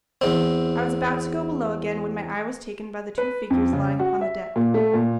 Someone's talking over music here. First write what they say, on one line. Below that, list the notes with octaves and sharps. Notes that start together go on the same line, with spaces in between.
I was about to go below again, when my eye was taken by the two figures lying upon the deck.
E2 C4
B4
F2
C#3
F#4
E5
A#2
A3
A#2